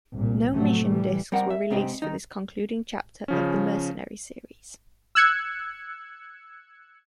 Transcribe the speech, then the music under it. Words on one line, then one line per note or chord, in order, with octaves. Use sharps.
No mission disks were released for this concluding chapter of the "Mercenary" series.
C2 A#2
A2 C3 F3 F#3 A3
E3 G3
G3 C4 A#4 F#5
E5
G#2 C3 C4 G4 D#5
D#3 D#4
C#3 F3 C#4
E6 F#6 G#6 C#7